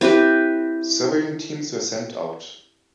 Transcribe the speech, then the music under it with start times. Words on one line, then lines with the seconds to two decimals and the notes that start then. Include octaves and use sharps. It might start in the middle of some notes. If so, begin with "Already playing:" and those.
Surveying teams were sent out.
0.01 C4 E4 G4 B4